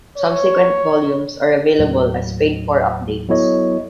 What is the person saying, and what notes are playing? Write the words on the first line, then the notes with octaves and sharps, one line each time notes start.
Subsequent volumes are available as paid-for updates.
C#5
D#2 A2 F#3
F#3 B3 E4 A4 C#5 D#5